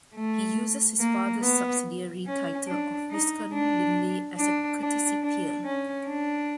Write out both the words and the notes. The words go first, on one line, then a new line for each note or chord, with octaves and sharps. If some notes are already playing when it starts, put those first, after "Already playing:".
He uses his father's subsidiary title of Viscount Linley as a courtesy peer.
A3
A#3
B3
C#4
D4
D#4
D4
D4
D4
D4
C#4
D4